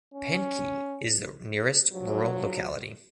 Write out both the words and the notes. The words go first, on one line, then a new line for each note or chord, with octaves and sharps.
Panki is the nearest rural locality.
C#4
G2 F3 F#3